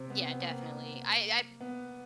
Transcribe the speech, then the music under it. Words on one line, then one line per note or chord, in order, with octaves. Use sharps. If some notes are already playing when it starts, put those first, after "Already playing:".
Yeah, definitely. I I
Already playing: C3 C4
B3
C4
B3
A#3
B3